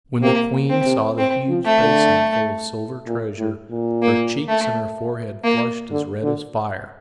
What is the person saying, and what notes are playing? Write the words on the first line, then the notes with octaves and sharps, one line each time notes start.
When the queen saw the huge basin full of silver treasure, her cheeks and her forehead flushed as red as fire.
C3 A#3
C4
C3
C4
F3
A3
D3
A#2
A2
A#2
A#3
A3
A#3
D3
D3